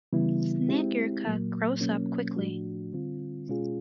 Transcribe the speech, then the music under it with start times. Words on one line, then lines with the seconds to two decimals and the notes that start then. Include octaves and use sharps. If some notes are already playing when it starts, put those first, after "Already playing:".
Snegurka grows up quickly.
0.13 C#3 E3 G3 B3 E4
0.69 G#3 C4 E4 G4
1.24 A#2 F#3 A#3
1.81 B2 F#3 A#3 C#4
2.36 A2 F3 A3 D4 F#4
2.93 D3 G3 C4 F4
3.48 B2 G#3 C#4 F4 G#4